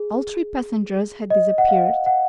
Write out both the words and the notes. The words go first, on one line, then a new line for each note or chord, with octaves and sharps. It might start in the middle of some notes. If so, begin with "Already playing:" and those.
All three passengers had disappeared.
Already playing: G#4
D#5
F#5
F5
F#5